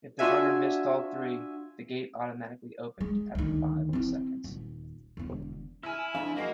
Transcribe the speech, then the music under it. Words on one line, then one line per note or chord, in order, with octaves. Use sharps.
If the runner missed all three, the gate automatically opened after five seconds.
D4 F4 F#4 E5 G#5
G#3
D2 D#3
C4 E4
D#1
E1 D3
E4 G#5 F6
F2 D4 E5 F5
F2 F#3 G#3 A#3 D#5